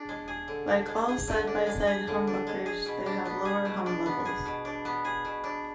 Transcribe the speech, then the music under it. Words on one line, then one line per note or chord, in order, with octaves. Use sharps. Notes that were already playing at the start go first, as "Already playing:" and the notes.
Like all side-by-side humbuckers, they have lower hum levels.
Already playing: D4 G#4
G#3
G#4
D3
D4
G#3
G#4
D3
D4
G#3
G#4
D3
D4
G#3
G#4
B2
D4
B3
G#4
B2
D4
B3
G#4
B2
D4
B3
G#4
B2
D4